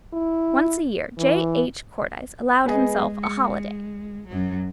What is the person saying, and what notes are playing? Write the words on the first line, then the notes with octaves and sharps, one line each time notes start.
Once a year J. H. Cordyce allowed himself a holiday.
E4
E3
G#3 B3 G#4 D#5
C#7
F#2 F#3